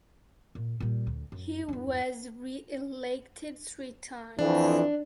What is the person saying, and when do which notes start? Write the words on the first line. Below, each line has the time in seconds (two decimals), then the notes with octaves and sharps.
He was reelected three times.
0.55 A#2
0.80 A#2 G3
1.07 D2
1.32 F#2
1.69 E2 G2
4.39 F2 E3 D4